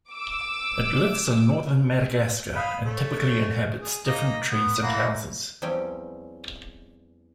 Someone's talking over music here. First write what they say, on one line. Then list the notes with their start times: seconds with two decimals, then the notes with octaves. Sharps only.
It lives in northern Madagascar and typically inhabits different trees and houses.
0.11 D6 E6
2.56 F5 B5 D#6
2.85 A3 C#5
3.80 G#4
4.06 A#3 D#4 D#5
4.51 B3
4.82 E3 A#3 F#5
5.62 E2 F3 G3 C4 C#4 G5